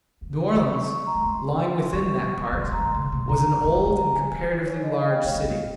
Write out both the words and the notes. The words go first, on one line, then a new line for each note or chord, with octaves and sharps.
New Orleans, lying within that part, was an old and comparatively large city.
F3
G#3 C#6
C#6
C#6
A#5
G#3
A#3 C6
C6
G#3 C#6
F3
G3 C6
F3 A#5
D#3
C6
C#3
C3
D#3 A#5
F3
D#3
F3
A#5
G#5
G#5
G#5
C#5
D#5
D#5
G5
F5
G#3
G3 D#5
G#3
G3